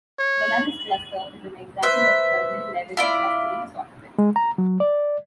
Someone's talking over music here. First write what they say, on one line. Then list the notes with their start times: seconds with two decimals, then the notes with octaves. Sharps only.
Solaris Cluster is an example of kernel-level clustering software.
0.19 C#5
1.82 B4 C5 E5
2.97 E4 F4 D5
4.18 G#3
4.36 A#5
4.58 F#3
4.80 D5